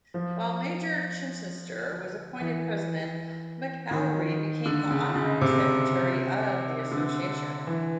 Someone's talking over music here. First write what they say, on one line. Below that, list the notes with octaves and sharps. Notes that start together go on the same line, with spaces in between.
While Major Chichester was appointed president, McAlery became the honorary secretary of the association.
F3
E3
D#3
D3
C#3
C#3
C3
D3
E3